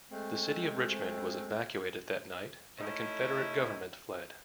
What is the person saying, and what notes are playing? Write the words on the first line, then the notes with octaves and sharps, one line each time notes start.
The city of Richmond was evacuated that night, and the Confederate government fled.
G#3 A3 C4
A3 C#4 D#4 E4